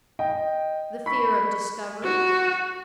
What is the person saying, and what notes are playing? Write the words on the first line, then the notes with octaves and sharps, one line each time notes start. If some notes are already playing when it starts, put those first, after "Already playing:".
The fear of discovery?
D#5 G5
B5 C#6 B6
F#4